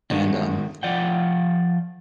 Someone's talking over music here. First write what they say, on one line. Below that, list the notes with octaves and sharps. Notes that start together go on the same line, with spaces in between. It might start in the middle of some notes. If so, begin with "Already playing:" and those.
And, um
D#3 G#3 F#4
F3 F4 D5 F#5 G5